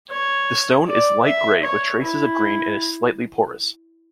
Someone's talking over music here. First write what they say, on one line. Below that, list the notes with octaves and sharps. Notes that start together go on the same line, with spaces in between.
The stone is light grey with traces of green and is slightly porous.
C#5
D5
E5
C#5
E4